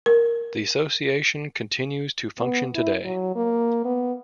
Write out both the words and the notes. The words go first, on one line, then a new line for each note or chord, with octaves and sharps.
The Association continues to function today.
A#4
B3
E4
F#3
A#3
B3